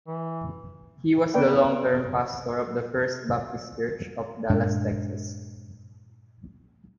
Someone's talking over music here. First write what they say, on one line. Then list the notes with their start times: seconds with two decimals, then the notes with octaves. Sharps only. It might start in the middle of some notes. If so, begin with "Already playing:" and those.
He was the long-term pastor of the First Baptist Church of Dallas, Texas.
0.07 E3
1.34 B3 A#4 B4 D5 G5
4.50 G2 A#2 G#3 D4